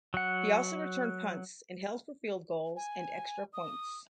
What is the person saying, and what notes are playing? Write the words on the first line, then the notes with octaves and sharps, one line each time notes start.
He also returned punts and held for field goals and extra points.
F#3 F#5
G#5
D#6